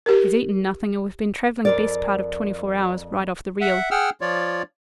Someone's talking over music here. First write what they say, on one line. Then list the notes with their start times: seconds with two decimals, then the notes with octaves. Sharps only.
He's eaten nothing, and we've been travelling best part of twenty-four hours right off the reel.'
0.06 G4 A#4
1.65 F2 A#4 D5
3.61 E5 F#5
3.91 G#4 F#5 G5 E6 F6
4.21 F3 F4 C#5 D5